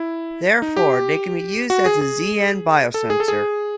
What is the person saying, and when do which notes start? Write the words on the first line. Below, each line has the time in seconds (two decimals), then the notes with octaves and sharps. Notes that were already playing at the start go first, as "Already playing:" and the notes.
Therefore, they can be used as Zn biosensor.
Already playing: E4
0.62 D#4
0.77 G4
1.70 F#4
1.86 G#4
2.01 G#4
2.94 A4
3.10 G#4
3.20 A4
3.28 G#4